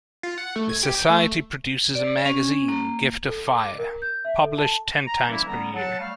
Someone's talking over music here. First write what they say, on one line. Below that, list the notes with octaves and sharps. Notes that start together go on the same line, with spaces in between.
The society produces a magazine, "Gift of Fire", published ten times per year.
F4
F#5
A3
G#6
G4
G5
A3
D5
C#4
A#3
A4
D6
A#4
G6
E5
A4
A5
A#5
E3 G3 A#3 C#4 E4
D3 G3 B3 C#4 A#5
F#3 F#5 A5
G3 A3 F5